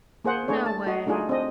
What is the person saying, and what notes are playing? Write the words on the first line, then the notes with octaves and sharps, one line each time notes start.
No way.
A#3 G#4 C5 F#5
A3 D4 G#4 C#5
A5
F#4 D#5
A3 D4 D#4 F4 G#4
C4 D4 D#5